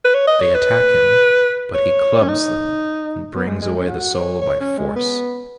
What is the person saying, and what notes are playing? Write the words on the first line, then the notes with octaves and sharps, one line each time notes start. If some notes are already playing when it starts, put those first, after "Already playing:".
They attack him, but he clubs them and brings away the soul by force.
B4
C#5
D#5
C#5
B4
C#5
C#4
D#4
B3
G#3
G#3
C#4
F#4
C#5
C#5
C#4
G#3
B3